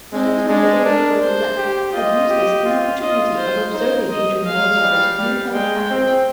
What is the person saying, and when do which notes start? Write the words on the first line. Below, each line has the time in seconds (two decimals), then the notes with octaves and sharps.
Not until the day before he left had Eustace an opportunity of observing Adrian Borlsover's new-found faculty.
0.12 G#3 C4
0.48 G#3 D4
0.85 D4 A#4
1.21 C5
1.57 G4
1.93 F4 D#5
2.29 G4
2.65 F4
3.01 F4 D#5
3.37 C5
3.73 D#4 C5
4.10 D#5
4.45 G#3 F5
4.82 G3
5.18 G3
5.54 G#3 G5
5.90 C4